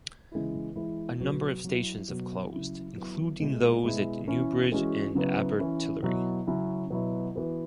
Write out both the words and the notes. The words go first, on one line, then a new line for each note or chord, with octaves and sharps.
A number of stations have closed, including those at Newbridge and Abertillery.
C#3 E3 G#3 B3 E4
E3 G#3 E4
B2 F#3 B3 F#4
F#3 E4
B2 F#3 B3 F#4
C#3 F#3 E4
F#3 B3 E4
B2 G#3 E4
B2 G#3 B3 E4
E3 C#4 E4
E3 G#3 C#4 F#4
C#3 F#3 B3 E4
E3 C#4 E4
B2 F#3 E4
C#3 F#3 C#4 E4
B2 F#3 B3 E4
E3 B3 F#4